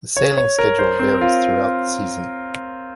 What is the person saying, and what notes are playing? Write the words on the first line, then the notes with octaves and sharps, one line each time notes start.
The sailing schedule varies throughout the season.
C#5
C#5
A#4
C5
C4
F4